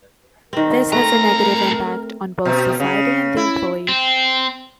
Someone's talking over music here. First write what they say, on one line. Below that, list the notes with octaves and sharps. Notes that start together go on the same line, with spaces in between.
This has a negative impact on both society and on the employee.
D#3 C4 A#4
A2 A3 C4 A#5
B2
C#3
E4
C4